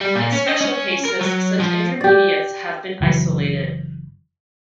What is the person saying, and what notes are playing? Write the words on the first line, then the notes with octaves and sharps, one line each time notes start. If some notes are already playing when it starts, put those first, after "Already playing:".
In special cases, such intermediates have been isolated.
G3
A#2
C#4
D#5
C#4
A#4
F#3
F3
G4 D5
F#1 E3 F#3